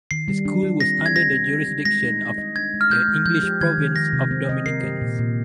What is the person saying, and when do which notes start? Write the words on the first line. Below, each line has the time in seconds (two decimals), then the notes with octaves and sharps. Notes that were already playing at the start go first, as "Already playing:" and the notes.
The school was under the jurisdiction of the English Province of Dominicans.
0.11 D#3 C7
0.28 G3
0.45 D4
0.63 F4
0.80 C4 A#6
0.99 C4
1.06 G#6
1.16 G4 A#6
1.33 C4
1.51 G#3
1.68 D#4
1.85 G#3 A#6
2.04 D#4
2.21 D4
2.38 D#5
2.56 D4 G#6
2.74 G#3
2.81 F6
2.90 G#3 G6
3.08 G#3
3.25 F3 G6
3.43 G4
3.61 D#3 G#6
3.78 D#3
3.96 D#3 A#6
4.13 C3
4.31 C4
4.49 D#5
4.66 A#4 C7
4.83 G4
5.01 A#2
5.18 A#2